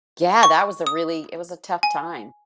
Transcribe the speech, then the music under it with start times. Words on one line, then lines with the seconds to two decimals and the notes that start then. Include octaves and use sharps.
Yeah, that was a really it was a tough time.
0.43 C#6
0.87 D#6
1.83 G#5